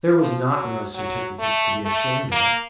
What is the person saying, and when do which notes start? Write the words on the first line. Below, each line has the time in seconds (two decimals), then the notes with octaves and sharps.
There was naught in those certificates to be ashamed of.
0.18 F3
0.48 F#3
0.94 F#3
1.39 A3
1.85 A3
2.32 A#3